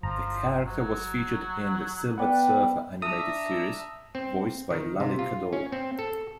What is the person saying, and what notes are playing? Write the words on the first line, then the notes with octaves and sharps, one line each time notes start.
The character was featured in the "Silver Surfer" animated series, voiced by Lally Cadeau.
G1 F3 A#5
F#3
B3 B4 D5 F#5 G5
D4 E5 A#5 D#6 E6
C4
D#3
C3
F4
C#4
C4
A4